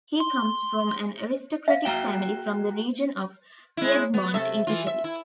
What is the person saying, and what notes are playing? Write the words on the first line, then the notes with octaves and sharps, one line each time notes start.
He comes from an aristocratic family from the region of Piedmont in Italy.
C6
E5 F5
A#3 F#4 G5
G#3 E4
B3
C3 A4 E5
E3 F4
E5
E4